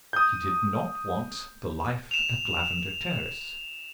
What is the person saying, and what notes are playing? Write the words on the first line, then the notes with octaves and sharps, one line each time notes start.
He did not want the life at Lavender Terrace.
D#6 G6
E7 F7